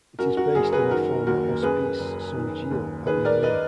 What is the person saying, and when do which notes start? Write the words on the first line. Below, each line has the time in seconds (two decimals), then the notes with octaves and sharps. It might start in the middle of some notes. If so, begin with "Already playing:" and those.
It is based in the former Hospice Saint-Gilles at Namur.
0.19 F#2 F#4 A#4
0.37 F#4
0.55 F#1 G#4
0.72 G#4 B4
0.91 D#3 F#4 A#4
1.27 D#2 F#4 A#4
1.63 F#2 G#4 B4
1.99 F#1
2.35 D#3
2.71 D#2
3.07 D#3 G#4 B4
3.25 A#4 D5
3.43 B4 D#5